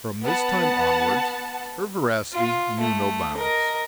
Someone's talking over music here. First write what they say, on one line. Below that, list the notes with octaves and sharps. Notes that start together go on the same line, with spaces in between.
From this time onwards, her voracity knew no bounds.
B3 F#5 A5
F4
A3
A#4 D#5